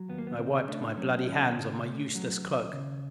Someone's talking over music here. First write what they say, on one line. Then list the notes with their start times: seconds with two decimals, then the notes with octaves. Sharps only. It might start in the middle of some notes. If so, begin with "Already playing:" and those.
I wiped my bloody hands on my useless cloak.
Already playing: F#3
0.09 D#2 B3
0.18 A#3
0.27 B3
0.39 C#3 C4
0.68 A3 D4
0.97 F#3 C#4
1.27 D#2 C#4
1.55 C#3
1.85 A3
2.15 F#3
2.44 D#2
2.73 C#3